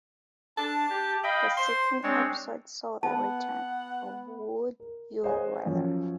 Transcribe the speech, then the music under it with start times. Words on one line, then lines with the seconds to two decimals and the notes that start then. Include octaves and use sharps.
The second episode saw the return of Would You Rather?
0.58 D4 A5
0.90 G4
1.24 D#5 F5 G5 B5
1.57 C5 C6
2.03 G#3 C4 D4 C#5
3.03 B3 F#5 A5
4.80 A#4
5.23 G#4 C5 C#5 D#5 F#5 G#5
5.66 F#2 F3 C#4